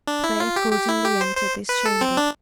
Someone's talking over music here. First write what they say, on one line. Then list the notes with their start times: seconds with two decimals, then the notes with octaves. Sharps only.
They accordingly entered his chamber.
0.07 D4
0.24 E4
0.40 F4
0.56 G4
0.73 G4
0.89 E4
1.05 G4
1.21 C5
1.37 C5
1.69 B4
1.85 A4
2.01 C4
2.17 D4